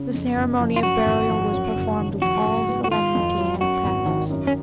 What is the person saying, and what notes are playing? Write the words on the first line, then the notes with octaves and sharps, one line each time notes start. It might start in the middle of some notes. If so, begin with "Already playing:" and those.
The ceremony of burial was performed with all solemnity and pathos.
Already playing: C#3
F2
F#1
F3
F4
F#2 F#4
G#1
F3
F#2
F#1
D#3
F3 F#4
G#2
B3
F#4
D#3 F4
F2
F#3
F#2 F#4
G#1
D#3
F#2
C#4